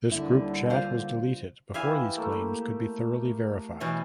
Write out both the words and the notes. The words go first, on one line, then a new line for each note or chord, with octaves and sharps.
This group chat was deleted before these claims could be thoroughly verified.
D#2 D3 G3 E4
F4 C5 F5
E3 G4 E5 F5 G#5
A3 A#3
B2 E3 C#4